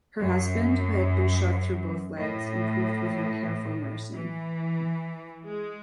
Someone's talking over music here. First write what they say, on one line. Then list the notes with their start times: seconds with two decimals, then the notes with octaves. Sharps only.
Her husband, who had been shot through both legs, improved with her careful nursing.
0.19 F#2
2.17 A2
4.14 E3
5.47 G#3